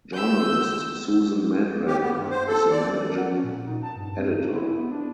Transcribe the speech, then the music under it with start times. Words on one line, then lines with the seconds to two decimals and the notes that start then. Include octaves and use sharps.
Journalist Susan Madrak is the managing editor.
0.13 E6 G6
1.87 G4
2.02 B3
2.15 G2
2.30 C5
2.47 A4
2.71 D5
3.06 A#4
3.18 F#5
3.29 C#4
3.44 A#2
3.66 D#4
3.83 A5
3.96 G2
4.17 C4
4.29 D#4
4.53 E4
4.76 B3
4.91 D4